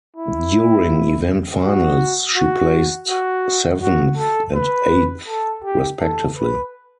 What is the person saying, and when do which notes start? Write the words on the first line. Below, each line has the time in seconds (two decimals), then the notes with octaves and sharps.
During event finals she placed seventh and eighth respectively.
0.17 E4
1.63 F#4
2.36 F#4
3.09 F#4
3.82 F#4
4.17 A4
4.55 B4
5.28 A4
5.64 G4
6.00 A4
6.37 B4